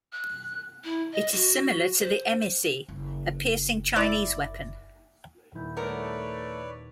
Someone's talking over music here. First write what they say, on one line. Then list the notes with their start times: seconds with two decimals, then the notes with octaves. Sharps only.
It is similar to the emeici, a piercing Chinese weapon.
0.13 F#6
0.84 E4
1.13 D#5
1.32 F#4
1.99 C5
2.88 F#1
3.96 E4 D5
5.55 D#1 E4 G6
5.77 A3 B3 A#4 B4 C#5 D5 A5 F6